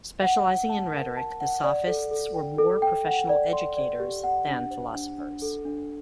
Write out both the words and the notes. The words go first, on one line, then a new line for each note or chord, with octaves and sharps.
Specializing in rhetoric, the Sophists were more professional educators than philosophers.
F#5
F#5
A5
A#4
A5
F#5
D5
A4
A4
G5
A4
G5
F#5
D5
C6
D5
G4
F#5
D4
C5
D4
D4
A4
D4